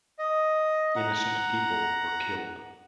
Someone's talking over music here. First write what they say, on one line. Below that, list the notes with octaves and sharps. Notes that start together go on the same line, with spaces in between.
Innocent people were killed.
D#5
F#5 A#5